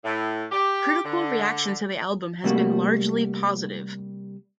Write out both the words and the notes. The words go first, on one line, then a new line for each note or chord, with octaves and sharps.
Critical reaction to the album has been largely positive.
A2
G4
D3
C3 G3 A3 A#3 F#4